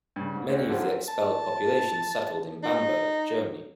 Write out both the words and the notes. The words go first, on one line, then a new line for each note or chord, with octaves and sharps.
Many of the expelled population settled in Bamberg, Germany.
G2 C#3
G#2
D2
D3 F3 F#3 F4 G4
A5
D#4